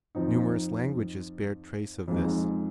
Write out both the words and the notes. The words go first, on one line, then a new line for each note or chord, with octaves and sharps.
Numerous languages bear trace of this.
F2 F3 C4 D#4
F2 F3 G#3 D#4